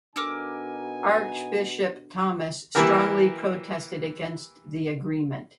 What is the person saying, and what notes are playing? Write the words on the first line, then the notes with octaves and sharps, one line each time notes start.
Archbishop Thomas strongly protested against the agreement.
B2 D4 D#4 A4 A#4 G#5 D6 E6
E3 A#3 E4 G4 A#4